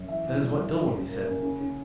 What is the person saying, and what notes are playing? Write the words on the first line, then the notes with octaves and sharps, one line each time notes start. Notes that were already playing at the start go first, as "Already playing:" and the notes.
That is what Dilworthy said.
Already playing: F#2
E3 E5
E3
G3
G3
F#3
C#3
A#3
C#4
C#3
C#3